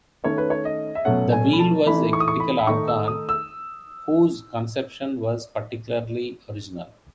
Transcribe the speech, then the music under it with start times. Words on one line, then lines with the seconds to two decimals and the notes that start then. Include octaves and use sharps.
The wheel was a critical organ whose conception was particularly original.
0.24 D#3 A3 C#4 C#5
0.38 B4
0.50 C#5
0.65 D#5
0.95 E5
1.05 B2 F#3 A3 C#4 F#5
1.32 G#5
1.53 B5
1.59 A5
1.86 E3 A3 D#4 B5
2.13 C#6
2.20 D#6
2.28 C#6
2.40 B5
2.59 B5
2.67 D#3 A3 D#4 C#6
2.88 E6
3.08 D#6
3.29 E6